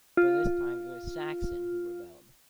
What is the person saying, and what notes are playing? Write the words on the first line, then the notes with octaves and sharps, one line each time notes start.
But this time it was Saxon who rebelled.
F4